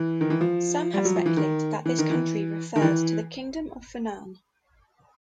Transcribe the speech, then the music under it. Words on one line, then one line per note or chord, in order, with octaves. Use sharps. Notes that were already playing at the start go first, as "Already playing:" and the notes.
Some have speculated that this country refers to the Kingdom of Funan.
Already playing: E3
D#3
E3
F3
G3
F#3
F3
E3
D#3
E3
D#3
E3
D#3
E3